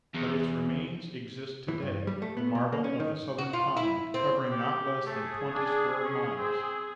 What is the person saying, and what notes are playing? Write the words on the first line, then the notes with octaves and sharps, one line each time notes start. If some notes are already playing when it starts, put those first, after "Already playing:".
But its remains exist to-day, the marvel of the Southern Continent, covering not less than twenty square miles.
E2
E3
G2
G3
A3
B3
B2
A#3
C#4
D#3
F#4
F4
E4
C4
G4
A3 G#4
D4
C#4
C4 G#4